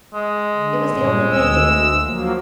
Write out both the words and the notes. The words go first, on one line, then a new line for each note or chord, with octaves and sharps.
'It was the only way, Dick.
G#3
D3
G2 A#2
D2 E6
F3 F#3 A#3